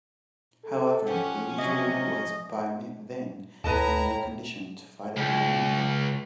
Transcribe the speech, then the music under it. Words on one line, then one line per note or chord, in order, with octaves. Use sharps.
However, Dmitri was by then in no condition to fight at all anyway.
A4
F3 C#4 G4 F#5
C3 F#3 E4 D#5
D2 A2 E4 B4 D#5 A5 A#5
C#2